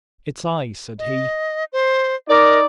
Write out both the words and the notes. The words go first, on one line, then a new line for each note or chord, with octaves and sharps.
"It's I," said he.
D#5
C5
D#4 A#4 D5